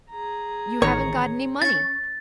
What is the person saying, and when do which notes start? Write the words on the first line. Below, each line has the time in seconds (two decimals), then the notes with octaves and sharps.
"You haven't got any money."
0.11 G#4 A#5
0.82 A1 D#3 C#5
1.62 C#4 C#6 A6